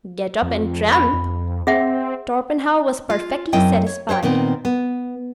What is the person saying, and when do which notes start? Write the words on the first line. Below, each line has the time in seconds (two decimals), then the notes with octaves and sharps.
Get up and tramp.' Torpenhow was perfectly satisfied.
0.42 F2
0.92 B5
1.13 F2
1.67 C4 G#4 E5 F#5
3.10 F4
3.53 F#2 C4 E4 D#5 G5
3.86 C#5
4.09 C5 C#5 F5 G5
4.23 A#2 D#3 B3 C4
4.65 B3